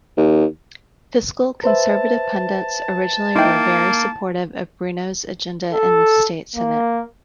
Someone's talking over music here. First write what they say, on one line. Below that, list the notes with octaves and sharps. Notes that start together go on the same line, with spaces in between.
Fiscal conservative pundits originally were very supportive of Bruno's agenda in the State Senate.
D#2
B4 C5 E5 A5
A#3 D#4 E4 G5
A4
A#3